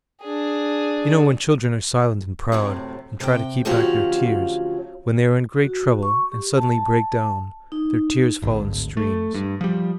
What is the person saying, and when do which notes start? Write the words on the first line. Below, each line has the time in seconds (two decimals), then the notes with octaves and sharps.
You know, when children are silent and proud, and try to keep back their tears when they are in great trouble and suddenly break down, their tears fall in streams.
0.22 D4 G#4
2.52 F#2 A2 C3
3.20 C3 G5
3.65 D2 F3 F#3 C#4 G4 F5
5.64 F#4
6.03 C#6
6.32 G4
6.57 A5
7.72 D#4
8.42 D1 G#1
8.97 A3
9.35 G2
9.61 F3 G3